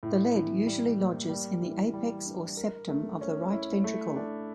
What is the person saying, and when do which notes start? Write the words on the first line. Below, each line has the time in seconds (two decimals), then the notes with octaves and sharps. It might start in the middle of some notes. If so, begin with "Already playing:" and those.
The lead usually lodges in the apex or septum of the right ventricle.
0.03 A2
0.34 E3
0.67 G3
0.98 A#3
1.29 G3
1.62 E3
1.94 G3
2.26 D4
2.57 A#4
2.89 A3
3.21 C#4
3.52 E4
3.84 A3
4.16 D4